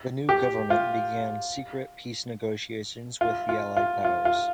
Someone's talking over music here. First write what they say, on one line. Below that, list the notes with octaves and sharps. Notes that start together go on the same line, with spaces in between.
The new government began secret peace negotiations with the Allied powers.
G4
F4
F4
F4
F4
F4
F4